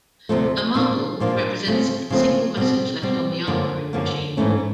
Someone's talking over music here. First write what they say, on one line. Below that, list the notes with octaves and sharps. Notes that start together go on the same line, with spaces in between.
A marble represents a single message left on the answering machine.
D2 C3 F3 A3
A#2 F3 A#3 D4
A#2 F3 A#3 D4
C#3 F3 A3 C4
C#3 F3 A3 C4
B2 G3 C4
B2 G3 C4
F#2 D3 F3 A#3
F#2 D3 F3 A#3
G#2 E3 A3 C#4